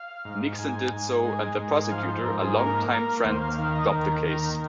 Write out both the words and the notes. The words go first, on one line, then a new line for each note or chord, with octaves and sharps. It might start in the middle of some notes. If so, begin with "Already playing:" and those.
Nixon did so, and the prosecutor, a long-time friend, dropped the case.
Already playing: F5
G#2
G#2 G#5
G#2
G#3
G#2
G#5
F3 F5
C5
G#2 A#4
G#4
A#3 A#4
A#3 A#4
D#2 C5
F5
D#3 F5
D#5
D#2 A#4
D#3 A#5